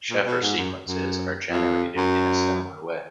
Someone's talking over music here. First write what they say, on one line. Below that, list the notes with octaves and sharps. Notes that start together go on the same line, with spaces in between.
Sheffer sequences are generated in a similar way.
A#2
B2
G#2
F#2
F#2
F2
F#2